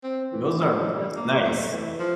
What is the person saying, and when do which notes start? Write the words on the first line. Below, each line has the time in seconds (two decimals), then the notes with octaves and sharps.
Those are pris nice.
0.04 C4
0.32 E3
0.60 F3
0.68 G3
0.77 F3
0.88 G3
1.16 A#3
1.44 A3
1.72 E3
1.99 F3